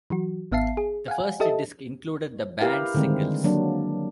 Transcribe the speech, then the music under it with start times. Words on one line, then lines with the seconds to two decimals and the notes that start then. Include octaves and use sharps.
The first disc included the band' singles.
0.10 E3 F#3 F#4
0.52 G#1 B3 E5 F5 A5 C7
0.77 G#4
1.08 F5 F#5 G#5
1.40 G4 A4 D#5 E5 A5
2.61 E4 G4 A#4 B4 F5
2.94 D3 D#3 G3 G#3 C4
3.44 F#3 A#3 D4